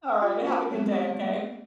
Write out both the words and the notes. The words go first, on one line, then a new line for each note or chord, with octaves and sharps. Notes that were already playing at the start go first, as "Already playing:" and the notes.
Alright. Have a good day, okay?
F4 G4
A#3 F4 F#4 C5 A5 B5
F#3 G#3 B3 C4 C#5
G4 C#5
A#3